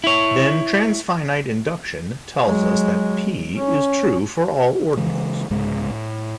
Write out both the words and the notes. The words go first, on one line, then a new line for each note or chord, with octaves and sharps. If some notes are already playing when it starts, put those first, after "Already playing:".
Then transfinite induction tells us that P is true for all ordinals.
E4 C#5
F#3 G#3
C#4
C#3 E3 G#3
C2 G#2 C#3 G#3
A2